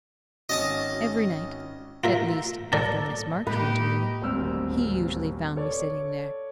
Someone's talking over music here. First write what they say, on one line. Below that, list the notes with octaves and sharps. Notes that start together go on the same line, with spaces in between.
Every night--at least after Miss March went away--he usually found me sitting there.
G#1 C#4 F#4 D#5 A5 D#6
F4 A#4 E5
A4 A#4 D5 A5
A2 G#3 A#3 D#4 G4 B4
D#1 G#1 D2 C4 E6 F6
A4 C#5 D5